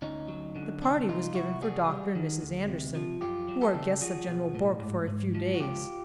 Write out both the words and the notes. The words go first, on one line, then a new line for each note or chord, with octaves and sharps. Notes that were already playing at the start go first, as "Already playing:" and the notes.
The party was given for Doctor and Mrs. Anderson, who are guests of General Bourke for a few days.
D2 C#4 D#4
F#3
D3
C2 C4 D4
C2 D#4 F4
C2 E4 F#4
G3 F#4 G#4
G3
D#3
D2
C3
F3
F#2 F4 G4
F#3
G4 A4
C#3
F3 F#4 G#4
B1
A2
G#2
G#2
F3
F#4
C#2 F4 G4